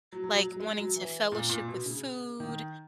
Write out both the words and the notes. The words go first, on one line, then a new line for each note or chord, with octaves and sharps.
like, wanting to fellowship with food
F#3
F#3
F#3
F#3
G#3
F#3
E3
A#2
A#2
B2
C#3
D#3